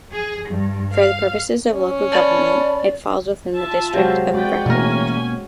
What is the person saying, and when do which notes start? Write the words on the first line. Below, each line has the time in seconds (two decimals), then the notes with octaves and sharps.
For the purposes of local government, it falls within the district of Breckland.
0.12 G#4
0.48 G2
0.94 F5
1.73 C#4
2.12 D5 A5 B5
3.56 F4 E5 A5
3.94 C3 F#3 G#3 C5 F5
4.34 G#3 C4 F#4 B4 D5 G5
4.66 A1 B2 A#3 C#4 A#4 G#5